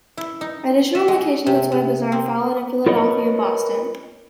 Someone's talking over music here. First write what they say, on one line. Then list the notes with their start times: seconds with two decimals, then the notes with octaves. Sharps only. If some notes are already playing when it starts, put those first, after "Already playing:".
Additional locations of "Toy Bazaar" followed in Philadelphia and Boston.
0.17 E4
0.41 D#4
0.95 E5
1.08 G#3
1.46 C3
1.72 C3
2.12 C4
2.86 F4 A#4 B4 C#5 D#5